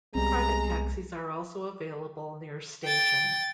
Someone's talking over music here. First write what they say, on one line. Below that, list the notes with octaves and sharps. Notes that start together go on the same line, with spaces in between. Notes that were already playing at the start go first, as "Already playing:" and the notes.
Private taxis are also available near station.
C2 G3 G#3 B3 C4 A#5
G5 A6